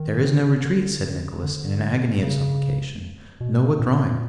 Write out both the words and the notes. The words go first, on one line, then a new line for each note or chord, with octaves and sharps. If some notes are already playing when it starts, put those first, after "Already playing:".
'There is no retreat,' said Nicholas, in an agony of supplication; 'no withdrawing!
Already playing: D#3
D3
D3
C#3
B2
A2
A#2